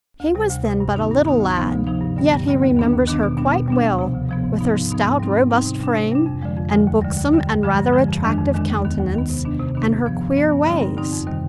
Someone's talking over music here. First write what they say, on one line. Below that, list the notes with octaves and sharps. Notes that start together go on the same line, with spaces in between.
He was then but a little lad, yet he remembers her quite well, with her stout, robust frame, and buxom and rather attractive countenance, and her queer ways.
D2
C3 G3
D2
C3 G3
G2
D#3 B3 D#4
G2
D#3 B3 D#4
D2
C3 F3 B3 D#4
D2
C3 F3 B3 D#4
G2
D3 G3 B3
G2
D3 G3 B3
D#2
D#3 B3 D4
D#2
D#3 B3 D4
B2
G3 B3 D4
B2
G3 B3 D4
D2
C3 F3 B3
D2
C3 F3 B3
G#2
F3 B3 D#4
G#2
F3 B3 D#4
G#2
G3 C4 D#4
G#2
G3 C4 D#4
C3
G3 D4
C3
G3 D4
F2
D3 F3 G#3
F2
D3 F3 G#3
D#2
D3 G3
D#2
D3 G3
G2
D3 F3 G#3
G2
D3 F3 G#3
F2
D#3 G#3 D4
F2
D#3 G#3 D4
D#2
D#3 B3
D#2
D#3 B3
C3
D#3 B3 D4
C3
D#3 B3 D4
G2
F3 B3
G2
F3 B3
G2
D3 G3 C4 D#4
G2
D3 G3 C4 D#4
F2
C3 D#3 G3